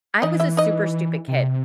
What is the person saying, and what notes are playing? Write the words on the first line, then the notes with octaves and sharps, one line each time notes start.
I was a super stupid kid,
E3 D#4 D#5
E4 E5
D#4 D#5
C3